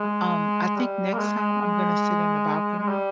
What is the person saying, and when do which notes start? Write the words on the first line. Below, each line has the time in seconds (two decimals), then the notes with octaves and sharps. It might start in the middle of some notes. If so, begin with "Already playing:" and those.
um, I think next time I'm gonna sit in the balcony
Already playing: G#3
0.77 G3
1.14 A#3
1.18 G#3
1.62 G#3
2.79 G#3
2.89 G3